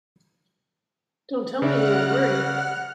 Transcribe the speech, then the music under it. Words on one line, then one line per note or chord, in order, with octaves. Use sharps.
Don't tell me you were worried!
C#3 D5 E5 F#5 F6 F#6